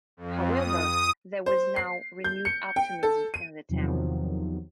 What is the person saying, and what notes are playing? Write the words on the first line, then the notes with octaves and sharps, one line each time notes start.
However, there was now renewed optimism in the town.
F2
D#6
C5
C7
G6
C#7
G5
A4
D#7
E2 C3 D#3 F3 F#3